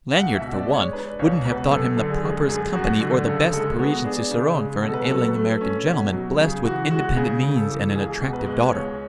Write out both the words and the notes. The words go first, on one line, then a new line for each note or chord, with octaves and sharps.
Lanyard, for one, wouldn't have thought him the properest company or the best Parisian cicerone for an ailing American gentleman blessed with independent means and an attractive daughter.
C#2 F#5
E5
B2
D5
G#3
C#5
D4 B4
C#2 C#5
B2 B4
F#2 A4
D3
G#4
G#3
F#2 G#4
F#2 F#4
D3 F#4
C#3 A4
G#3 A4
B3 F#4
D4 G#4
C#3
G#3
B2 A4
B4
A4
F#3
A4
B4
A3
C#4
B2
F#3
C#3 G#4
E3 F#4
G#3 F#4
C#3 G#4
C#3
A4
E3
C#2 G#4
B2
B4
G#3
C#2 C#5